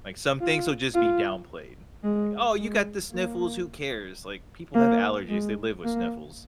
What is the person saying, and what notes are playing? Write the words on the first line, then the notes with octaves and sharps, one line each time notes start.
Like, some things will just be downplayed. Like, "Oh, you got the sniffles, who cares? Like, people have allergies, they live with sniffles."
F4
F4
G#3
G#3
A#3
A#3
G#3
A#3